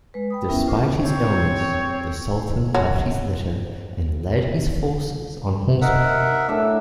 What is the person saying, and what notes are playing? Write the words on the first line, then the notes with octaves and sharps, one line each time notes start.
Despite his illness, the Sultan left his litter and led his forces on horseback.
G#3 B4
G5 B5 D#6
B3 C#4 E4 A#4 E5 G5
F4 C5 C#6 D6
C4 C#5
F#3
D#4 A#4 E5 F#5
A2 D4 E5